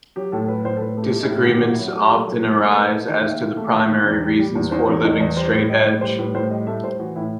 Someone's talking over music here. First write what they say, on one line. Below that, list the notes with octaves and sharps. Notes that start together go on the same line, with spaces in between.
Disagreements often arise as to the primary reasons for living straight edge.
F#3 G4
A2 A4
A4
F#3 B4
A2 C5
A4
A2 B4
A3
G4
A3
D#4
E4
A2
D#3 F#4
G4
D#2 F#4
E4
F#3
F#4
A3 G4
F#3 A4
F#3
F#3
A3
A4
A3 B4
A3
D#3
D#2 E5
D#2
A3
D#2
D#3
E2
G3
G3
E2
E2 C5
E2
E2 D#5
E2
G3 C5
A2
A2 D#5
A2
G3 C5
A2 B4
A2 C5
G3 D#5
A3 E5
A2 C5
E3 F#4
A2 E4